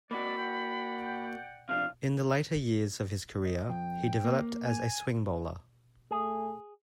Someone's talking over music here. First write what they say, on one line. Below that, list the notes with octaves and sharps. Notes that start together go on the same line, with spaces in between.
In the later years of his career, he developed as a swing bowler.
G#3 A#3 C4 F#4 D5 B5
D5 F#5 G5
C3 F3 D4 F5
D#5
F2 G5
A#3
G#5
A3 G#4